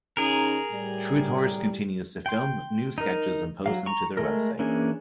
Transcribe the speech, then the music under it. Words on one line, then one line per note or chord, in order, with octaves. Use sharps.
Truthhorse continues to film new sketches and post them to their website.
C#3 D#4 G#4 A#4
A2 G3
G5 C6
D#4 A#4
F#3 F5
A#5 C#6
G#3 A3 A4 A#4
E3 A#3 C#4 D4 G#4